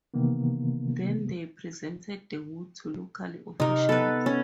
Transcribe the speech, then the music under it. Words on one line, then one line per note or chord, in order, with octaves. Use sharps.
Then they presented the wood to local officials.
C3 D#3 E3 A#3 B3
C3 D#4 A#4
B3 A4 B4
C#4